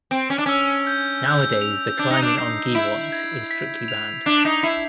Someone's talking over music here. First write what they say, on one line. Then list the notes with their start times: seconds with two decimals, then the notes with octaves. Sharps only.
Nowadays the climbing on Giewont is strictly banned.
0.11 C4 D7
0.30 C#4
0.38 D4
0.46 C#4 E6
0.87 G6
1.25 G6
1.62 F7
1.99 D4 G6
2.10 D#4
2.22 D4
2.37 D#4 C7
2.75 E4 D7
3.13 G#6
3.51 B6
3.88 F7
4.26 D4 C7
4.45 D#4
4.63 E4 C7